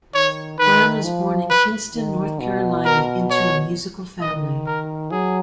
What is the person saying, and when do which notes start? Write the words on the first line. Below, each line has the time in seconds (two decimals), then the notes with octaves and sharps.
Brown was born in Kinston, North Carolina into a musical family.
0.14 D#3 C#5
0.59 D#3 B4
1.04 F3
1.50 B4
1.95 D#3
2.40 B2
2.85 A#4
3.30 C#5
4.21 D#3 D#5
4.66 A#4
5.11 F#3 G#4